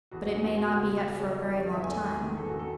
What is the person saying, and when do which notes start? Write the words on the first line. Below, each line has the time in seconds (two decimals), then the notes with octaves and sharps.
"But it may not be yet for a very long time."
0.11 E2 F#4
0.23 F#4
0.28 B2
0.33 G#4
0.44 E2 F#4
0.55 G#4
0.60 B2
0.65 F#4
0.76 C#2
0.93 B2
1.08 C#2 G#4
1.20 C#5
1.25 B2
1.31 D#5
1.41 E2
1.56 D#3 C#5
1.66 D#5
1.72 E2 E5
1.84 G#5
1.89 D#3
1.94 G#5
2.05 E2 G#5
2.21 D#3
2.37 E2 A4
2.48 F#4
2.53 D#3
2.59 A4